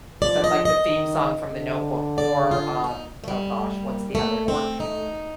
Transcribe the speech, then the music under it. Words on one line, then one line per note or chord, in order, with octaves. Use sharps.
but, like, the theme song from The Notebook or, um, oh, gosh, what's the other one, or c
F3 D5
D#5
D#5
D#3
D3
D5
F4
D#4
A3
G3
A3
A#3
A3 A#3
A3 C4
A3 D#4